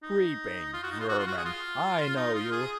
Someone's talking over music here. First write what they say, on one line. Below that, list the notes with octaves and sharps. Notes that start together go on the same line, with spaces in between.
Creeping vermin, I know you!
D#4
F4
F#4
D#4
F4
F#4
F4
F#4
G#4
F4
D#4
F4
G#4